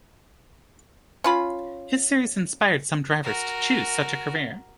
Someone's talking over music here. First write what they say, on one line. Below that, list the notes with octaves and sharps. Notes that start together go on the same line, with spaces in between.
His series inspired some drivers to choose such a career.
C#4 F4 B5
F#4 A#4